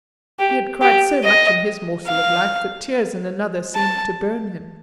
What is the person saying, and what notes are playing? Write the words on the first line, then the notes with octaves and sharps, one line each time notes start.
He had cried so much in his morsel of life that tears in another seemed to burn him.
G4
G4
D#5
F5
A5